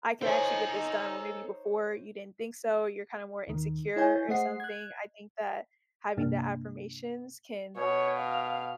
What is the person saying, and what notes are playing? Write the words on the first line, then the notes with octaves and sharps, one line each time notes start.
I can actually get this done," where maybe before you didn't think so or you're kinda more insecure or something. I think that having the affirmations can
D#4 A4 C5 C#5 G#5
D#2 D#3
E4 C#5 G#5 G6
A3 G#4 C5 D#5 F#5 C7
F#6 G#6
G2 C3 A#3 D4
B2 C#5
F5